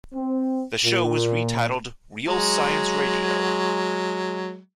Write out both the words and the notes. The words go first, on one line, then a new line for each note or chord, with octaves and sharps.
The show was re-titled "Real Science Radio".
C4
A#2
F#3 G#3